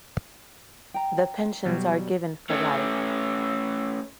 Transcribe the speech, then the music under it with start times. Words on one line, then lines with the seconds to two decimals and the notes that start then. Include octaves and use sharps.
The pensions are given for life.
0.94 G5 A#5
1.65 B2 F#3 G3
2.50 A3 C#4